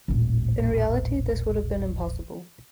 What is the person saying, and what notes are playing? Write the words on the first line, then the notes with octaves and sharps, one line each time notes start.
In reality this would have been impossible.
D#1 A1